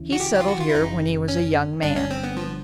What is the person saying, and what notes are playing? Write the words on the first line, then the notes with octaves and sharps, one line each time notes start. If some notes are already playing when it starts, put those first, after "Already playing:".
He settled here when he was a young man.
Already playing: D2 C#3 E3
F#4
G4
G4
F4
F#4
F4
E4
F#1 F#2 C#3 D#4
C#4
G1 G2 D3 D4
C#4
C4
B3
F3